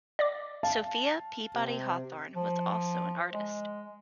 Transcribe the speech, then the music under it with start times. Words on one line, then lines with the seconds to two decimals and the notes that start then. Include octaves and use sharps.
Sophia Peabody Hawthorne was also an artist.
0.19 D5 D#5 D6
0.63 F5 A5
1.54 C3
2.36 F3
3.34 G#3